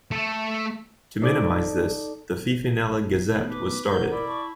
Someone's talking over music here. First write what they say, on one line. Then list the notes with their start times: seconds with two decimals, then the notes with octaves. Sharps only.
To minimize this, the "Fifinella Gazette" was started.
0.11 A3 A4
1.22 D#4 A4 D5
3.35 A3 B3 D#4
3.50 B4 D6
3.90 D#4 A4 A#4 C5 F#5 G6
4.12 E4 D5 B5
4.27 A5 C#6